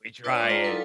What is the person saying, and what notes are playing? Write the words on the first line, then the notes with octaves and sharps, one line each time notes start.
We try it.
D4 F4 B4 C#5 D5 A5
G#3 F4 D5 C6 D6
D#5 F5 G5 A#5
F#3 D#4 E4 A4 B4